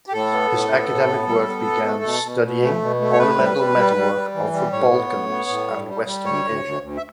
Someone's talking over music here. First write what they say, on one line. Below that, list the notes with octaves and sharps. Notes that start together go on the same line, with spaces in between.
His academic work began studying ornamental metalwork of the Balkans and western Asia.
G4
A2 A4
B3
A2
B3
A2
B3
G3
B3
B2
A3
B2
B2
B2
A3
B2
A3
C#5
A2 B4
G3
G3
G3
G3
G3
E3
G3
A2 C#5
B3
A2
B3
A2
G3
G3
G3
D2 C#5
D2
D2
D2
E5